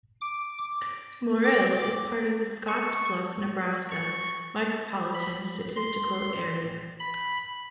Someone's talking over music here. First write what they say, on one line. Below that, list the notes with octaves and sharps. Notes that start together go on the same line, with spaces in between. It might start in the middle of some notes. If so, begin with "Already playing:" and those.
Morrill is part of the Scottsbluff, Nebraska Micropolitan Statistical Area.
D6
D6
C#6
C#6
B5
C6
B5